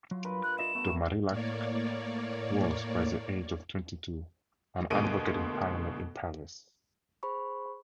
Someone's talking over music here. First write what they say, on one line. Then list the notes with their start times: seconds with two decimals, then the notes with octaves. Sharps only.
De Marillac was, by the age of twenty-two, an advocate in parliament in Paris.
0.11 F#3 F4
0.25 G2 A#4 B4
0.43 F#6
0.59 F4 D#5 E5 E7
0.75 A3 B3 A#4
0.86 C#6
1.28 A2 A#3 C#5 D5
4.90 D2 B2 G#3 A#3 D7 D#7
7.23 G#4 C5 B5 C#6